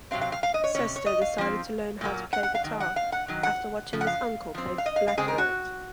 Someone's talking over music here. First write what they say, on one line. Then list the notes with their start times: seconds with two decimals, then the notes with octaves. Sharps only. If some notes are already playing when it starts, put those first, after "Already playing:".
Cester decided to learn how to play guitar after watching his uncle play "Blackbird".
0.11 C3 F#3 C4 F5
0.21 F5
0.32 F5
0.43 F5
0.54 D#5
0.64 C#5
0.75 C3 F#3 C#4 C#5
0.96 C#5
1.06 D#5
1.22 F5
1.38 F3 C4
2.01 A#2 F#3 A#3
2.33 F#5
2.43 F#5
2.55 F5
2.64 D#3 F#3
2.80 F#5
2.96 F5
3.12 F#5
3.28 D#3 F#3
3.43 F#5
3.93 C#3 F3
4.01 F#5
4.07 F5
4.55 F3 C4
4.78 F5
4.86 D#5
4.96 F5
5.08 F5
5.18 C#3 G#3 C4 G#4
5.28 A#4
5.38 F#4